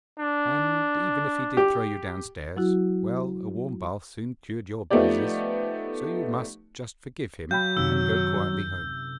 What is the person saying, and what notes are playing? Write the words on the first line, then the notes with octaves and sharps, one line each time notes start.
And even if he did throw you downstairs, well, a warm bath soon cured your bruises, so you must just forgive him and go quietly home.'
D4
G4
F#3 E4 F#4
F3 A3 B3 D#4 G4 D5
F#3 F5 G5 B5 G6
F#2 C3 D#3 E6